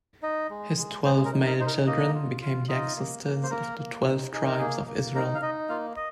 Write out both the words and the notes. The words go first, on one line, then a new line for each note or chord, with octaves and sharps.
His twelve male children become the ancestors of the Twelve Tribes of Israel.
D#4 D#5
G#3
G#3
G#3 C4 C5
A#4
D#4
A#4
D#4 C5
A#4
A#3 D#4 D#5
F4
F4
D#4 F4 D#5
A#3
A#3
C5
A#3 A#4
A#3
D#4
D#4 G#4
A#4
A#3 G#4
A#3
D#4 A#4
F5
D#4 D#5
A#3 F4 F5
D#5